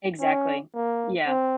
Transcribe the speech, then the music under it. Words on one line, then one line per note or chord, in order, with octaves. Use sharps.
Exactly, yeah.
C#4
A#3
C4